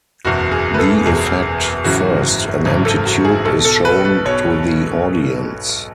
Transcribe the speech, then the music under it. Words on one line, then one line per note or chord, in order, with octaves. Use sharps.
The Effect: First, an empty tube is shown to the audience.
F#1 E2 B2 F#4
G#4
B4
A4
F#1 E2 B2 G#4
G#1 F#2 C#3 E3 F#4
G#1 F#2 C#3 E3
A4
F#4
G#4
B1 B2 A4
A4
B4
B4
B1 B2 C#5